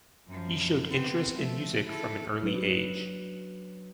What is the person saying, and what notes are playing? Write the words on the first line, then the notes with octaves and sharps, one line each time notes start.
He showed interest in music from an early age.
F#2 F3
B3 C4
F3 A3
E4 A4
F#3 D4 B4